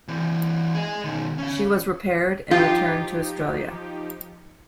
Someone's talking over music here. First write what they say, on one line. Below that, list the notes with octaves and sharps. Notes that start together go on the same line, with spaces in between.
She was repaired, and returned to Australia.
E3 C4
G#4 D#5
B2 D#3
C#4 F5
F3 D#4 F4 G4 G5